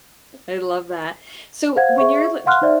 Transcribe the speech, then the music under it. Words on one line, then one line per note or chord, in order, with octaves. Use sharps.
I love that. So when you're, like,
C5 F5 F#5 G#6
G#4 E5 C#6
F5 F#5 C6 F6 F#6
D#4 C5 D5 E5